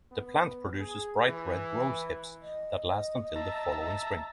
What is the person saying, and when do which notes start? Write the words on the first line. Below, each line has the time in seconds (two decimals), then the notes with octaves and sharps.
The plant produces bright red rose hips that last until the following spring.
0.11 B3
0.80 G#4
1.28 E3
2.42 D#5
3.36 E5 A5 A#5